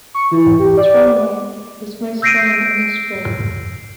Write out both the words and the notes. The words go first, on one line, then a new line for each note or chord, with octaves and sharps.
The dry line is most common in the spring.
C#6
E3
G4
D5
E6 G6 A#6 C7 D7 D#7